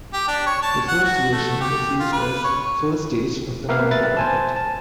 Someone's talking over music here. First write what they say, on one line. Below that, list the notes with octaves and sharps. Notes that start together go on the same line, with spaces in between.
The first version was used as first stage of the Monica rocket.
G4
D4
C#5
A5
F#5
F#4
A3
G4
F4
B4
C#5
A#3 C4 A#4 B4 E5 F5
B4 E5 A6
C5 G#5 A5
A5